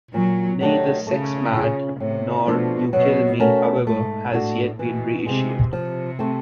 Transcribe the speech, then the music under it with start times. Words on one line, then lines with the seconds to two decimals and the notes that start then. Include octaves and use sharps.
Neither "Sex Mad" nor "You Kill Me", however, has yet been reissued.
0.13 A#2 F#3
0.61 D#3 F#3 A3 D4 G4
1.07 C#3 A3
1.54 C#4 F4 G#4
2.00 A2 C3
2.47 B2 F3 A3 D4 F4
2.93 B2 F#3
3.40 A3 C#4 F#4 A#4
3.86 G#2 A3
4.33 A2 D4 F#4 A4
4.79 B2 E3
5.26 C3 G#3 C4
5.72 C3 F3
6.19 A3 C4